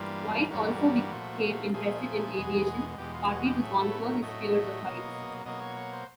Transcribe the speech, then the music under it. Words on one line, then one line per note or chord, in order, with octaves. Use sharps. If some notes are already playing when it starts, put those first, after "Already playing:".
White also became interested in aviation, partly to conquer his fear of heights.
Already playing: G2 E3 G3 A#3 F4
G2 E3 G3 A#3 F#4
A#2 F3 A3
A#2 F3 A3 G#4
E2 B2 G#3
E2 B2 G#3 G4
F4
F#4
G4
A2 F#3 A3 G#4
A4
B4
A#4
A2 F#3 A3 D#5
B2 F#3 A#3
B2 F#3 A#3 D#5
C#5
C#5
C5